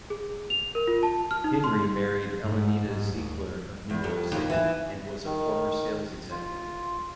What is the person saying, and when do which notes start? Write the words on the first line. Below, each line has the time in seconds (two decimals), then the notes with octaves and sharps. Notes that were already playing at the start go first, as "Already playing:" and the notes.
Henry married Elenita Ziegler of New York City and was a former sales executive.
0.10 G#4
0.50 F7
0.75 A#4
0.87 F4
1.03 A5
1.31 F6
1.44 D#4
1.64 C6
2.44 G#2
2.85 G#2
3.11 D#2
3.90 E2
4.04 F2
4.32 D#2
4.50 E3
5.25 D#3
6.31 F4